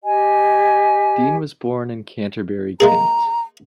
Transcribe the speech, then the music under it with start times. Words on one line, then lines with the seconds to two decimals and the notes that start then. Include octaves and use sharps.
Dean was born in Canterbury, Kent.
0.03 G4 D#5 G#5
2.80 G#3 A#3 G#4 A#5